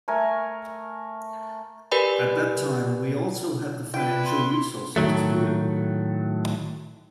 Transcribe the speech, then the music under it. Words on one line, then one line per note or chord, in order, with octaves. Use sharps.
At that time we also had the financial resources to do it.
A3 A#4 G#5 C#6
G4 A#4 B4 D5 G#5 B5
D4 E4 F4 B4 G5
C6
A2 D#3 F#3 A3